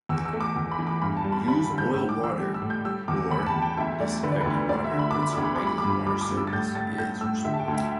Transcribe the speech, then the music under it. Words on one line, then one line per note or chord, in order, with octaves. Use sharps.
Use boiled water, or disinfected water until regular water service is restored.
E2 E6
E6
A3
D6
E2
B5
E3
D6
G2 B5
A5
G3
B5
G3 B5
D3
G6
A2 E6
D6
E3
E6
G3
E6
A2
G6
G3 E6
E2 D6
E2 B5
A5
E2
G5
D2 E5
A3 D5
D3 B4
D5
B4
D2
D2 D5
E5
D3
B5
D3 D6
B5
D2 D6
B5
G3 D6
B5
D6
G2
B5
G3 D6
D6
G2
E6
A6
A2 G6
A2 A6
A3 G6
A2 E6
D3 E5
A5
G5
D2
E5